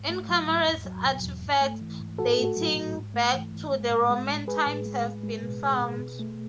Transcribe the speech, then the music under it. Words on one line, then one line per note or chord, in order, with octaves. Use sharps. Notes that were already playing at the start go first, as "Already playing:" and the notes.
In Kamares artefacts dating back to the Roman times have been found.
Already playing: G#2
A3
F#3
G#2
E2
F#3
B2
E2
G#2
A3
E3
G#2
A2 F#4 A4
A3
F#4 A4
F#3
A2
G#2
A3
E3
G#2
G#3
A2
G#3
A2
G#3 G#4 B4
A2
G#3
A2
G#3
B2
G#3
B2
B2
A3